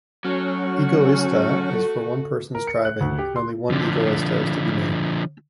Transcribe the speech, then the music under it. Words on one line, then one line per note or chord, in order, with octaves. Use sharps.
Egoista is for one person's driving and only one Egoista is to be made.
F#3 A3 C#4 F#4
A4
A#4
C#7
F#6
D2
G4
C6
D3 F3